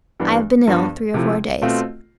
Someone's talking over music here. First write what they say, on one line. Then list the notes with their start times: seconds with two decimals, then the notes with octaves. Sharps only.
I have been ill three or four days.
0.20 G2 E3 B3 D4
0.67 G2 F3 B3 D4
1.14 C3 F3 A3 E4
1.62 B2 A3 C4 F4